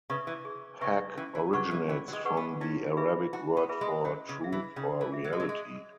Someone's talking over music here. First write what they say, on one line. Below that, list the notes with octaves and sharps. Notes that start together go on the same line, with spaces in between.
Haqq originates from the Arabic word for truth or reality.
C#3 B4 E5 C#6
E3
G#4
C#3 B4 E5 C#6
E3 C#4
E3
C#3 G#4 B4 F#5 C#6
E3
E3 C#4
F#3
G#3
G#4 B4 F#5 C#6
B3
C#4 E4
G#4 B4 E5 B5
E4 F#4
B3
G#4 B4 E5 B5
G#3
F#3 C#4
C#3
G#4 E5
E3
C#3 C#4
E3
G#4 E5
F#3
G#3
F#3
G#3 G#4